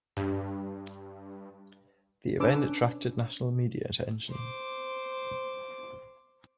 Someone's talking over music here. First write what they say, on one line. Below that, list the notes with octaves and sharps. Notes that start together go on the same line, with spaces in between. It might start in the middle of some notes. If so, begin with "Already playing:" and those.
The event attracted national media attention.
G2
C#4 D4 B4 D6 E6
C5 D6